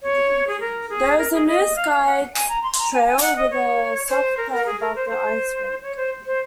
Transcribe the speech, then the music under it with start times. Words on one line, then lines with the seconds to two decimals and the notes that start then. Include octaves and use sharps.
There is a new sky trail with a soft play above the ice rink.
0.02 C#5
0.47 G#4
0.60 A#4
0.90 G#4
1.18 A#4
1.33 G#4
1.48 D#5
1.76 F5
1.91 F5
2.06 F#5
2.35 G#5
2.49 A#5
2.64 C6
2.78 A#5
2.93 G#5
3.02 A#5
3.07 G#5
3.21 F#5
3.36 D#5
3.51 C#5
4.09 C5
4.37 A#4
4.52 A#4
4.66 G#4
4.80 A#4
4.96 C5
5.10 C5
5.83 C#5
5.96 C5
6.26 C5